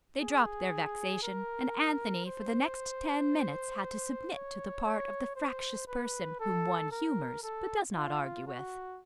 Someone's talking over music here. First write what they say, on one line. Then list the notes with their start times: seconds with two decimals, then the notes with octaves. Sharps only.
They dropped their vexation, and Anthony for the next ten minutes had to submit to the part of the fractious person whom one humours but does not argue with.
0.20 G#4
1.23 A#4
2.26 C5
4.34 C#5
4.85 C#5
5.36 C5
5.88 B4
6.40 A4
6.92 A#4
7.43 A4
7.94 F4
8.47 F#4